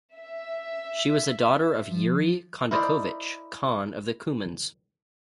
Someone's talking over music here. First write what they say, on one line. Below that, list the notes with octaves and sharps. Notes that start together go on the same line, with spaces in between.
She was a daughter of Yuri Kondakovich, Khan of the Cumans.
E5
F3
E4 A#4 C5 D5 D#5